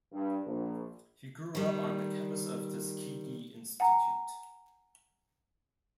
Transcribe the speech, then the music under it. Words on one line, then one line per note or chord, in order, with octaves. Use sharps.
He grew up on the campus of Tuskegee Institute.
G2
A#1
D#3 G3
F#5 G#5 A#5